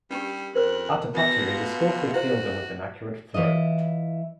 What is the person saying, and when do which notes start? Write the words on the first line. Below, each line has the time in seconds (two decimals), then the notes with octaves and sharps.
Atapattu is a skilful fielder with an accurate throw.
0.10 G3 C#4 D4 G4
0.55 F2 A#4 C5 F#6
1.14 B2 B3 A#6
1.48 F4
2.14 E4 F#4 C5 F#5
3.34 E3 E4 F4 D#5